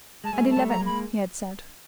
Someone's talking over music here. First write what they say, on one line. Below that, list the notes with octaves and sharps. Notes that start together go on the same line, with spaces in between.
'At eleven,' he had said.
G#3 A5
G3 A3 G#5
A5
G3 A3
A#5
G#3 A#3
B5